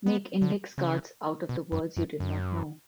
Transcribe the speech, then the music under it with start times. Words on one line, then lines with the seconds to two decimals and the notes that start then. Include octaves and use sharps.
Make index cards out of the words you did not know.
0.06 B3
0.42 D3
0.78 C#3
1.49 B2
1.72 F#2
1.97 F#2
2.20 F#2